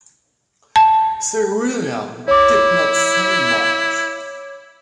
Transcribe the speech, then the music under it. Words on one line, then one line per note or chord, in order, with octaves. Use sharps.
Sir William did not say much.
A5
E4 C#5 D6